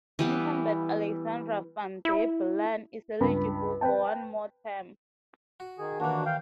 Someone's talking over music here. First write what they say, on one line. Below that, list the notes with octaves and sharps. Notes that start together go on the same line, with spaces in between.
Incumbent Alexander Van der Bellen is eligible for one more term.
E3 G3 B3
E4
C#2 G2 B5
B4 C5 G5 A5
F#4
D#3 G#4
D#2 E3 A#3 D4 F#4
F5 G5